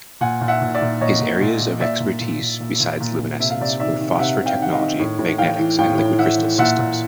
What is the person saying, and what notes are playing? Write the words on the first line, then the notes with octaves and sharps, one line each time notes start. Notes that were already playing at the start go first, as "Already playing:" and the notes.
His areas of expertise, besides luminescence, were phosphor technology, magnetics and liquid crystal systems.
A#2 F#5 G#5
A#2
E5 F#5
A#2
D5 E5
A#2
A#2 C#5 D#5
A#2
A#2
A#2
A#2 D5 E5
A#2
A#2
A#2
A#2
A#2
A#2
A#2
C3 E5
F5
C3 D5 E5
D#3 D5 E5
D#3
F5
C3 E5 F#5
C3
F5 G5
D#3 F#5
D#5 F5
D#3
A2
A2
E3 F5 G5
E3
A2 F5 G5
A2
E3 E5 F#5
E3
A#2 E5 F#5
A#2